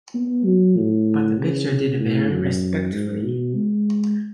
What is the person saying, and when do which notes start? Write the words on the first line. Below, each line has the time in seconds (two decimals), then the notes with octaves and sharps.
But the picture did very respectfully.
0.15 B3
0.45 F#3
0.77 A2
1.39 C#3
1.69 C#3
2.00 A2
2.31 F#2
2.92 G#2
3.23 B2
3.54 G#3